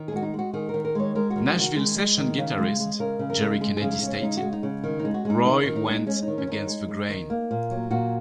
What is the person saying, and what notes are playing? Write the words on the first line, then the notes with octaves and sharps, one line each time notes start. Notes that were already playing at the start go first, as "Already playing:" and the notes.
Nashville session guitarist Jerry Kennedy stated, Roy went against the grain.
Already playing: D#3
G#4
G#3 F#4
D#4
G#3
F#4
D#3 G#4
A#4
D#3
A#4
G#3 C#5
G#3 A#4
F#4
D#3
F#4
D#3
F#4
G#3 G#4
G#3
D#3
C#3
G#3
G#3
C#3 A#4
C#3
A#4
G#3
G#3 G#4
C#3 G#4
D#4
C#3
C#4
G#3 D#4
F#4
G#3
D#4
C#3
D#3
D#4
G#3
F#4
G#3 D#4
D#3 D#4
D#3
D#4
G#3
D#4
G#3 C#4
D#4
D#3
C#4
D#3 D#4
G#3
G#3
D#3
A#3
A#2
F#3
A#2 F#4